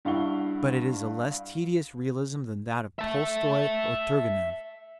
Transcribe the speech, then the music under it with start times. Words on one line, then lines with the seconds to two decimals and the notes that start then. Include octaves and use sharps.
But it is a less tedious realism than that of Tolstoy or Turgenev.
0.05 G2 E4 F5 F#5 C#6 G7
2.99 E5 A5